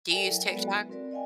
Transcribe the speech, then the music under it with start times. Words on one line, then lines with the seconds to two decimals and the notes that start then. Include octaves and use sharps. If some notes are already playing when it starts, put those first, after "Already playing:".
Do you use TikTok?
0.10 A4 A#4 D5 E5 G5 G#5
0.28 F#3 E4 E5
0.46 F#3 G#3 B3 A4 B4 D5
0.59 F#4
0.89 C4 A#4 D5
1.11 D5 D#5 F5 G5 G#5